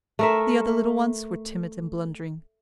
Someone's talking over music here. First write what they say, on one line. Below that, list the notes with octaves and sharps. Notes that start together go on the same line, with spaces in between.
The other little ones were timid and blundering.
A3 A#4 E5